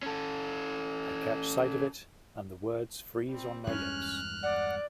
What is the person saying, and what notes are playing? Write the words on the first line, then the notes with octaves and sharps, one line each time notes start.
I catch sight of it, and the words freeze on my lips.
C#4 A4
G3 C4
E2 G2 G#3 C#4 F6 F#6
D5 F#5